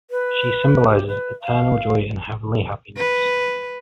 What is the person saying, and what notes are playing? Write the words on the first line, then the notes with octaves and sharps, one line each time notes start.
She symbolizes eternal joy and heavenly happiness.
B4
G4
B4
F5
B4